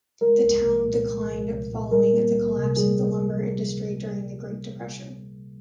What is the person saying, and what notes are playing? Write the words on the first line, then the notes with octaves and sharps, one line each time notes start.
The town declined following the collapse of the lumber industry during the Great Depression.
G#3 A#4
C2
C2
A#2
G#3
C2
C2
A#2
G3 A#4
A#3
C#2
C3
G3 G#4